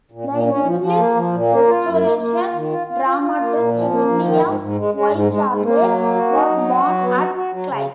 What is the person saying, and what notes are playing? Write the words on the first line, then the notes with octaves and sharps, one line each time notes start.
The English Restoration dramatist William Wycherley was born at Clive.
A#2
A#2
C#4
F3
F3
A#3
F3
A#2
A#3
F4
F#2
A#3
A#3
F4
D#3
F4
F4
F4
F4
A#3
A#2
F3
A#3
F3
D#3
G#2
G#2
G#3
G#3
G#2
G#3
G#2
A#3
F#3
A#3
F#4
D#4
F#3
F#4
F#3
B3
F#4
F#4
F#3
C#3